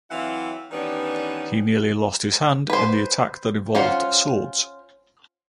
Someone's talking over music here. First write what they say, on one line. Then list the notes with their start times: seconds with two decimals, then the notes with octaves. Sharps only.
He nearly lost his hand in the attack that involved swords.
0.10 E3 F#3 C4 E4 F5 F#5
0.71 D#3 E3 G3 B3 C#4 D4
2.70 B4 C5
3.75 C#4 F4 C5 F#5